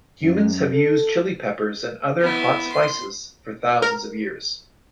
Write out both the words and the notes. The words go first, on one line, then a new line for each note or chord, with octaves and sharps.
Humans have used chili peppers and other hot spices for thousands of years.
F#2
A4
B3 E4
C6
A#4